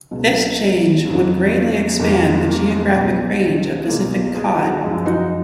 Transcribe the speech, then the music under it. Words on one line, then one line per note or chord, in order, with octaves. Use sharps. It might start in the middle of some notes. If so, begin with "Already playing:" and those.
This change would greatly expand the geographic range of Pacific cod.
C#2 B2 F#3
F2 C#3 F#3
F2 C#3 F#3 A#3
G#3
A#3
G#3
C#2 B2 G#3
B3
C#2 B2 G#3 A#3
A#3
F4 G#4
D#4 F#4
F#2 F3 G#3
D#4 F#4